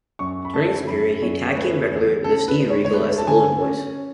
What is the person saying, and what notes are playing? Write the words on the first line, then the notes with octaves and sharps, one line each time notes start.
During this period, he tag teamed regularly with Steve Regal as The Golden Boys.
F#2 C#6
B5
A3 A5
F#2 B5
F#2 C#5
C#5
A3 B4
E2
C#3 A4
B4
G#3
C#5
C#5
A3 B4
A5
D3 G#5
C#4